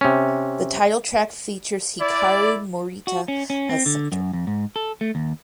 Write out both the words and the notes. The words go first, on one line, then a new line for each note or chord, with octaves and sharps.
The title track features Hikaru Morita as center.
C3 C#4
E4 D5
F#4
C#4
C#4
C4
D3
F#2
F2
G#2
A4
A3
D#2